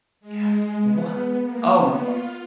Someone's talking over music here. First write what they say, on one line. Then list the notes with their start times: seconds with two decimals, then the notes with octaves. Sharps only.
Yeah, what? Oh, my, uh
0.20 G#3
0.81 B3
1.41 A#3
1.71 B3
2.01 F4